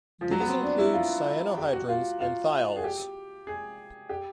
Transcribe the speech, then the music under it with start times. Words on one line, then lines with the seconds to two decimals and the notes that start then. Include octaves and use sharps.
These include cyanohydrins and thiols.
0.21 F3
0.31 F#3
0.40 B3
0.48 C4
0.63 D4
0.78 E4
0.94 F4
1.57 G4
1.73 F#4
1.89 F4
2.20 F4
2.76 G#4
2.84 G4
3.47 G#4
4.09 G4